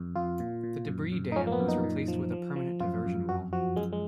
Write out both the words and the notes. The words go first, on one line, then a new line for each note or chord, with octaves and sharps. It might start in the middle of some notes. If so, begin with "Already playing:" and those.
The debris dam was replaced with a permanent diversion wall.
Already playing: F2
F2 F4
A#2
A#2
F#2
F#2
D#4
F3 C#4
A#3
B3
F#2
D#4
A#2
F3
F3
F3
F#2 F4
F#2
F2 F#4
F3 F#4
F#2 G#3
G#3